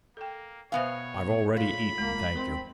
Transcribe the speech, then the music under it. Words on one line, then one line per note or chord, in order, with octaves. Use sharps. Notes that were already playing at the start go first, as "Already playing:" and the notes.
"I've already eaten, thank you."
A#3 A4 G5
B2 B3 C5 C#5 E5 F5 G#5
F4 B5
A#2 G#3 A#3
C4 A#4 C6